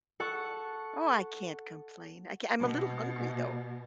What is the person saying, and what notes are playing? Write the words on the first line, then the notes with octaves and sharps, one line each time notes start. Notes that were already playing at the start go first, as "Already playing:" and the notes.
Oh, I can't complain. I c I'm a little hungry, though.
A4 F#5 C#6
B2